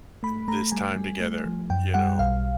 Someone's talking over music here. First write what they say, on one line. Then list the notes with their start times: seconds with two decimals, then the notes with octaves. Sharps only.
this time together," you know?
0.23 A3 B5
0.48 A3 A#5
0.72 G3 G#5
0.96 G3
1.20 A3
1.46 F3
1.70 F#2 G5
1.94 G3 F#5
2.19 B1 F5